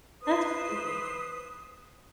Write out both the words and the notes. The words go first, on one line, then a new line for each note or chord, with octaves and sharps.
That's crazy.
B4 C5 D#6